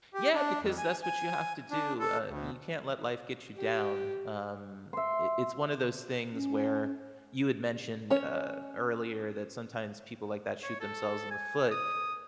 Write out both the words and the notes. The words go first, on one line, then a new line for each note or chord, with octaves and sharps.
Yeah, because that's what you have to do, uh, you can't let life get you down, um, it it's one of those things where, you had mentioned, uh, earlier that sometimes people like that shoot themselves in the foot,
G4
D4
F2
G#5
G#5
D4
A4
D2
G4
E5 C6
C#4
C#4 C#5
C#5
A4
G#5
D#6